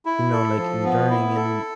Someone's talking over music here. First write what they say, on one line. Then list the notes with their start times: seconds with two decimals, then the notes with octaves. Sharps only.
you know, like, enduring and
0.06 E4
0.32 A4
0.58 F3
0.85 B3
1.10 E4
1.36 A4